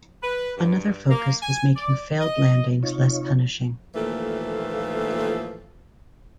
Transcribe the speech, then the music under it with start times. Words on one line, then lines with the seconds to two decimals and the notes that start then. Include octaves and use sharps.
Another focus was making failed landings less punishing.
0.23 B4
0.57 G2
1.10 A#3
1.43 G#5
1.76 D5
2.20 D#5
2.83 C3 D#4 F4 C#5
3.95 D#2 A#2 E3 F3 A3 A4